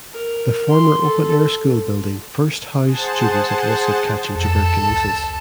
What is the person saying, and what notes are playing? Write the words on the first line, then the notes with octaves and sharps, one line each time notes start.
The former open air school building first housed students at risk of catching tuberculosis.
A#4
C6
A4
G#4 C5 F#5 A5
F2 A4 A5
C#2